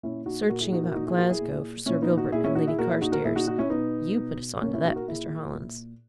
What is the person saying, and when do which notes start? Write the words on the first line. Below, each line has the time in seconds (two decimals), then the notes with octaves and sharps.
"Searching about Glasgow for Sir Gilbert and Lady Carstairs--you put us on to that, Mr. Hollins."
0.03 A#2 C#4 E4
0.26 D#4 F#4
0.49 A#2 F#4 A#4
0.61 E4 G#4
0.73 D#4 F#4
0.84 F#4 A#4
0.95 A#2 D#4 F#4
1.07 E4 G#4
1.18 F#4 A#4
1.29 E4 G#4
1.41 A#2
1.86 A#2 C#4 E4
2.02 B3 D#4
2.17 D#4 F#4
2.32 A#2 E4 G#4
2.44 C#4 E4
2.55 D#4 F#4
2.67 E4 G#4
2.78 A#2 F#4 A#4
2.89 E4 G#4
3.01 D#4 F#4
3.12 F#4 A#4
3.24 A#2 E4 G#4
3.36 D#4 F#4
3.47 D#4 F#4
3.58 C#4 E4
3.70 B2 B3 D#4
4.16 B2
4.62 A#2 A#3 C#4
4.73 C#4 E4
4.85 D#4 F#4
4.96 F#4 A#4
5.07 A#2 E4 G#4
5.54 A#2